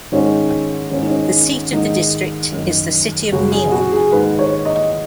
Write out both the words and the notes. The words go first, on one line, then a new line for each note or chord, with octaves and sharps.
The seat of the district is the city of Nyon.
G#2 D#3 C#4
G#2 D#3 C#4
D#4
C#4
G#2 D#3 D#4
F#2 D#3
F#2 C#3 F#4
G#4
F#4
G#4
G#2 D#3 B4
C#5
D#5